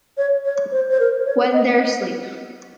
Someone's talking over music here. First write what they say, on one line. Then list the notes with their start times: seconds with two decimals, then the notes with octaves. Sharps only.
When They're Asleep.
0.18 C#5
0.45 C#5
0.72 C5
0.90 C5
1.00 A#4
1.26 C#5
1.54 D#5